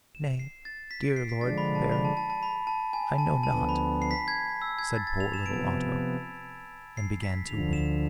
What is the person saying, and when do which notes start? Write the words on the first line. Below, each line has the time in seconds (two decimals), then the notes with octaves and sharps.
"Nay, dear Lord Baron, I know not," said poor little Otto, and began to weep.
0.15 E7
0.39 C7
0.65 A6
0.91 B6
1.03 D7
1.16 C7
1.29 B6
1.41 D3 F3 G#3 D4 A6
1.58 B5
1.75 A5
1.92 B5
2.05 A5
2.17 A5
2.30 A5
2.43 B5
2.67 A5
2.93 G#5
3.18 A5
3.43 D2 D3 F3 B3 A5
3.69 B5
4.02 C7
4.11 B6
4.28 G#6
4.62 E6
4.78 G#6
4.96 A6
5.07 A6
5.20 F7
5.34 E7
5.45 C3 F3 B3 D7
6.97 C7
7.23 B6
7.47 D2 D3 F3 F7
7.73 E7